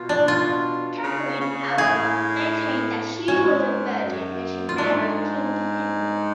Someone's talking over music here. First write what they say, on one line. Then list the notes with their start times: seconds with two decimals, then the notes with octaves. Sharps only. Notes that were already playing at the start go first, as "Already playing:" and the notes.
Catherine, however, maintained that she had been a virgin when she married King Henry.
Already playing: B2 F4
0.09 D4
0.28 F4
1.03 C#3
1.41 C#3
1.78 A2 G#4
3.28 G#2 C#4
4.03 F#2
4.69 F4
4.78 G#2 D4